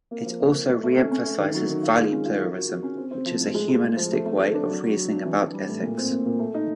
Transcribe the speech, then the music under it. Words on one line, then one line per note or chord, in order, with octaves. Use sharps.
It also re-emphasises value-pluralism, which is a humanistic way of reasoning about ethics.
A#3
F3
A#3
A#3
A3
A3
C#4
C#4
A3
D#3
F#3
D#3
F4
G#3
C#4
F4
A#4
F#4
F#4
C#4
C4
C4
F3
A2
G#3
G#3
G#3
F3
A3
A3
A3
D4
F#3
F#3
F#3
D4
E3
E3
G3
A2
A#2
C4
A#2
A#2
A3
D#4